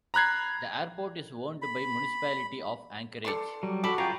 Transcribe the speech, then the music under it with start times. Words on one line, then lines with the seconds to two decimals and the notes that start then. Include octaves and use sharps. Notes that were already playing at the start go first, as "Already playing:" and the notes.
The airport is owned by Municipality of Anchorage.
0.14 A#5 B5 F#6 G#6 C7
1.62 B5
3.25 A4 D5 C6
3.63 F#3 G3
3.84 F#4 A4 B5 D6
3.98 C#4 F4 G5 A#5